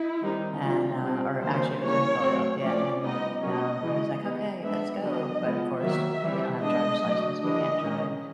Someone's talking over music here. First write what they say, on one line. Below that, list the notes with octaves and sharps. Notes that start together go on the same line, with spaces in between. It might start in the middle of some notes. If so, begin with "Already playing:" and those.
and, uh Or actually it was in Philadelphia. And, um, I was like, "Okay, let's go." But of course we don't have a driver's license, we can't drive.
Already playing: E4
D#3 G3 C4 D#4
F#3 A3 D4 F4
G3 C4 D#4
D#3 F#3 A#3 D4 C5
E3 G3 A#3 C#4 C#5
F#3 A3 C4
F3 A3 C#4 D5
G3 B3 D#4 D#5
F#3 A#3 C#4 D#5
E3 G#3 C#4
G3 B3 D#4
G#3 B3 D4 E5
D3 F#3 B3 D4 D#5
F3 G#3 B3
D#3 F#3 A#3 E5
E3 G3 C4
G#3 B3 D4 D#5
F#3 A3 D4
E3 G3 A#3 D4 D#5
D#3 G#3 C#4